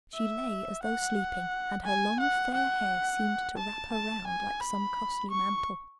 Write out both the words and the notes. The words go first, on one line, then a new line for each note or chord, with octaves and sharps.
She lay as though sleeping, and her long, fair hair seemed to wrap her round like some costly mantle.
E5
F#5
G#5
F#5
F#5
A5
A5
G#5
B5
C#6